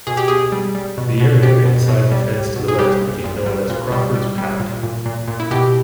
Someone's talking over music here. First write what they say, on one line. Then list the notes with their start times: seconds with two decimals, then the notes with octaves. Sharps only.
The area inside the fence to the west became known as "Crawford's Paddock".
0.07 B2 G#4
0.17 G4
0.28 B2 G#4
0.52 G3
0.75 G3
0.98 B2
1.20 B2
1.43 B2 G4
1.66 B2
1.88 B2
2.11 G3
2.33 G3
2.56 B2
2.68 G#4
2.79 G3 G4
3.01 A#2
3.24 A#2
3.46 G3
3.69 A#2
3.92 G3
4.15 G3
4.38 G3
4.60 A#2
4.83 A#2
5.06 A#2
5.28 A#2
5.40 E4
5.51 B2 G4